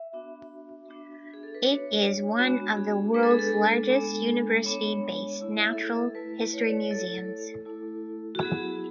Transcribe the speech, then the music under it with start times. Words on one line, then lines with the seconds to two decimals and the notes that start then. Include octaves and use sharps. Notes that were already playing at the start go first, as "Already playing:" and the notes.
It is one of the world's largest university-based natural history museums.
Already playing: E5
0.13 B3 D4 F#4
0.89 B3 D4 F#4
1.34 G#4
1.43 A4
1.54 B4
1.64 B3 D4 F#4 C#5
2.39 G#3 B3 D4 F#4
2.77 G#4
3.14 G#3 B3 D4 B4
3.23 A4
3.31 G#4
3.39 A4
3.89 G#3 B3 D4
4.65 G#3 B3 D4 C#5
5.40 A3 E4
5.59 E5
5.73 A4
5.78 G#4
5.96 A4
6.15 A3 E4 B4
6.53 C#5
6.61 D5
6.69 C#5
6.90 A3 E4 A4
7.65 A3 E4
8.35 F#4
8.41 F#3 B3 E4 G#4